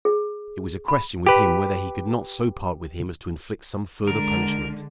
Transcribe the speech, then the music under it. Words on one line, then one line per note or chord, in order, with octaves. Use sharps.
It was a question with him whether he could not so part with him as to inflict some further punishment.
G#4
B5
G4 B4
D3 G#3 A#4